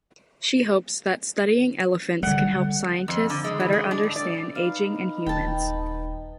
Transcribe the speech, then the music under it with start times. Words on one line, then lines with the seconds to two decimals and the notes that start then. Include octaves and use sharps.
She hopes that studying elephants can help scientists better understand ageing in humans.
2.23 D3 G3 F#5
3.08 F2
3.30 D3
3.44 G#3
3.60 E3
3.73 G#3
3.91 D4
4.03 A2
4.16 D5
4.55 D#4 B4 D#5 F5
5.26 D#1 G5 A5